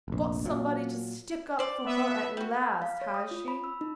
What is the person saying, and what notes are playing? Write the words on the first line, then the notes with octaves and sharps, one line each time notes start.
Got somebody to stick up for her at last, has she?
F1 A#1
A#2 F#3
C5 D5
B3 E5
G3 F#4
F5
C#5
D#6
F4
B5
E6
D#4